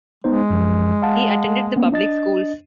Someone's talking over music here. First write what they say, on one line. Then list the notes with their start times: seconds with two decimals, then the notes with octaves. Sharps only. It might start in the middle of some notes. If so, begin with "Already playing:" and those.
He attended the public schools.
0.24 G#3 B3 D#4 C5
0.50 F#2 F3
1.02 F5 F#5 A5
1.76 A#3 B3 C#4
1.92 D4 D#5 A6